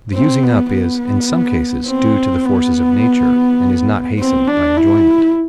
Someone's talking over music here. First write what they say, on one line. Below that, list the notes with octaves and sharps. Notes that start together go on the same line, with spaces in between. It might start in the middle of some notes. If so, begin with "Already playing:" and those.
The using up is, in some cases, due to the forces of nature, and is not hastened by enjoyment.
C4
B3
B3
C4
B3
C4
D4
E4